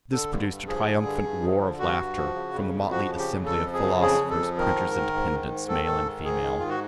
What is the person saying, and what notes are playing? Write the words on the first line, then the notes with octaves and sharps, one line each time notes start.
This produced a triumphant roar of laughter from the motley assembly of philosophers, printers, and dependents, male and female.
D3 A4
G2
G2
F3 G#4
D3
G2
G2
F3
D3
G2 F#4
G2
F3
C#3
F2
F2
F3 F#4
C#3
G4
F2
F2 A4
F3
G#4
C#3
F2 G#4
F2
A4
F3
D#3 A#4
G#2
D#3
G#2
D#3
G#2
D#3 A4
G#2
D#3
G#2 G#4
D#3
G#2 F4
F#4